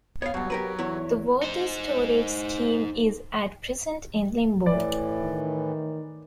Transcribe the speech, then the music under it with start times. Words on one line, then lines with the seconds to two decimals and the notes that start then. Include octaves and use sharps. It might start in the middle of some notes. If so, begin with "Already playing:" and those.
The water storage scheme is at present in limbo.
0.22 B3 C#5 F5
0.34 G2 B2 F#3
0.50 G4 A#4 B4
0.79 E2 E4 C#5
1.42 D#4 C5
4.66 A2 E3 D5
5.21 D#3